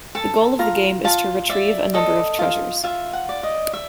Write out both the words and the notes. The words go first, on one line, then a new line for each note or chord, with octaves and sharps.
The goal of the game is to retrieve a number of treasures.
A4 A5
F4 A#5
F4 A5
D5 E5
A4 D#5
F4
F4 E5
F#5
D5
D#5
E5